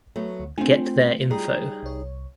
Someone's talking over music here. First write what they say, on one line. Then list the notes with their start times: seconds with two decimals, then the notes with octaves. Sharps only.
Get their info.
0.16 F#3 A3 B3
0.40 D2
0.58 A3 C4 D4 F4 G#5
1.31 G3 D#4 G#4
1.83 C2 C#5